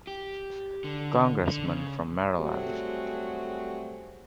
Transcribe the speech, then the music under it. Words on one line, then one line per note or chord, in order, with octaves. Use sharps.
Congressman from Maryland.
G4
D3
D3
C#3
F#3 G3 A3 C4 F#4 G#4